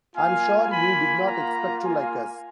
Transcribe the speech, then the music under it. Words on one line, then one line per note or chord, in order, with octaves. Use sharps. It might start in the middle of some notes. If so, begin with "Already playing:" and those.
I am sure you did not expect to like us..
A#3 F4 F5 G#5
G#5 B5
F#5 A#5
F5 G#5